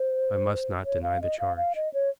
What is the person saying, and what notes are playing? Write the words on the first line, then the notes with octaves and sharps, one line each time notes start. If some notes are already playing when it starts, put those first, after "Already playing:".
"I must not deny the charge."
Already playing: C5
C#5
F5
D#5
F5
F5
D#5
C#5